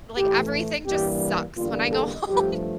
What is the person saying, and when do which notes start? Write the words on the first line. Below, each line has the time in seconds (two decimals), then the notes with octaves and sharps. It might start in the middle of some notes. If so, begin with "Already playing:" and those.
like, everything just sucks when I go home,
0.17 A2 E3 A3 G4
0.87 G2 E3 G3 A#3 G4
1.57 E2 D3 G3 A#3 F4
1.93 A4
2.28 G2 F3 A3 G4